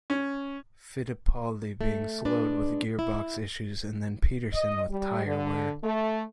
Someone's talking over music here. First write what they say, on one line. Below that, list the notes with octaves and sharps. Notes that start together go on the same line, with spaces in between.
Fittipaldi being slowed with gearbox issues, and then Peterson with tyre wear.
C#4
A3
G#3 D4 B4 D5
E4
D#5
G3
D3
A3